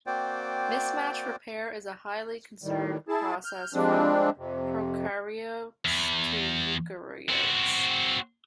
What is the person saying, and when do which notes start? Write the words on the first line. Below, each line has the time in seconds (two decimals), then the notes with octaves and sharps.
Mismatch repair is a highly conserved process from prokaryotes to eukaryotes.
0.07 A#3 C4 F#4 C5 D5 G5
2.64 A2 D#3 G3
3.08 E4 G#4 A5
3.44 F6 G6
3.74 F3 G3 G#3 C4 D4
4.37 F2 C3
5.85 E2
7.29 C4 F#4